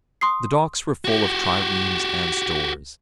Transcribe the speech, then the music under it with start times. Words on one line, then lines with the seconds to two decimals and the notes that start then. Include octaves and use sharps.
The docks were full of triremes and stores.
0.21 C6 D#6 C7
1.05 F#4 G4